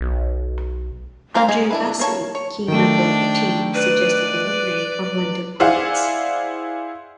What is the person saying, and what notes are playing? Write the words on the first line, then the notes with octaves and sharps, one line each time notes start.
Andrew Bassie, a key member of the team, suggested the new name 'Orlando Pirates'.
B1
G#4 A#4 C5 F5
G#3 G#4
D4 E4 B4
A#3 C#5 A5
C#5
D#3 A3 D4 G5
B4 D5
E4 G#4 C5 D5 F5 F#5